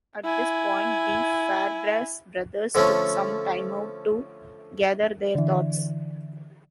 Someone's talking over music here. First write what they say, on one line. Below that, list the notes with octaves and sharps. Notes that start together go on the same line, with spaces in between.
At this point the Fairbrass brothers took some time out to gather their thoughts.
E4 G#5
D3 F3 A3 C#4
D3 E3